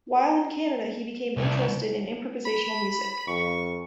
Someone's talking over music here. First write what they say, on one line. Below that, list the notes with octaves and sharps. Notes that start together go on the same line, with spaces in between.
While in Canada, he became interested in improvisational music.
C2
B5
F2 C#6